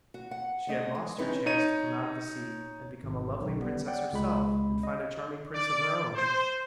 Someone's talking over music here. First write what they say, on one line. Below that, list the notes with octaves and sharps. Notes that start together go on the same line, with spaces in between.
She had lost her chance to come out of the sea and become a lovely princess herself and find a charming prince of her own.
F#4
F#5
G3 A3 D#5
G#3
C4 C#4 D#4 E4 G#4 B4
D#4 C#5 D#7
G#1
B1 D#3
G3 B3
D5 F#5 G5
C#2 G#3 B5
D#5
D5
C5